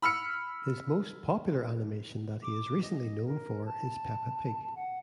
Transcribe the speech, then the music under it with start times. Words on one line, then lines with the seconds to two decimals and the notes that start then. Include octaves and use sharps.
His most popular animation that he is recently known for is Peppa Pig.
0.02 B5 E6 F6 C#7
2.42 D6
2.82 D#5
3.26 A#4
3.66 A5
4.76 F#5